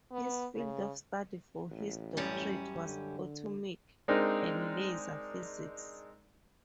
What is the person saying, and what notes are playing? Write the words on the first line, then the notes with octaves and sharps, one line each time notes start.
His field of study for his doctorate was atomic and laser physics.
B3
C#3
A1
F#2 G3 C#4
D3
G#3 C4 D4 D#4 A#4